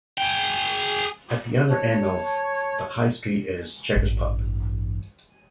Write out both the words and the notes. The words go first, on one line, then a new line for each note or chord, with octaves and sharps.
At the other end of the High Street is the Chequers pub.
G#4 G5
C#5 A5
A1 G2